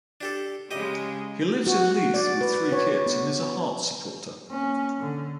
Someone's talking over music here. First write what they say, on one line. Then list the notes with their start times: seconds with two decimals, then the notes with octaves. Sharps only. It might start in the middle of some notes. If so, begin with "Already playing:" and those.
He lives in Leith, with three kids, and is a Hearts supporter.
0.21 D4 G4 A4
0.71 C#3 G#3 G4 D#5
1.67 F#4
2.14 D5
2.41 B4
2.72 C#5
3.06 B3
4.49 A#3 C#4
5.00 D3